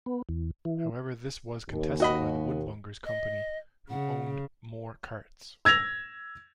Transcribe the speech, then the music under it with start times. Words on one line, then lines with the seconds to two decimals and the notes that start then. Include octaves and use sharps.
However, this was contested by the Woodmongers' Company, who owned more carts.
0.06 B3
0.29 E2
0.65 E3
1.69 D#2
2.00 F#4 D#5 B5
3.05 D#5
3.90 C#3 F#5
5.65 E6 G#6 A#6 F7